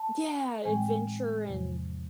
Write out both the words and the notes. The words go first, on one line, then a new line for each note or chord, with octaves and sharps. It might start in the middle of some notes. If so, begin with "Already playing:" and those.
Yeah, adventure, and,
Already playing: A5
A2 E3 G#3 C4 G#5
G5
G#5
E2 C3 F3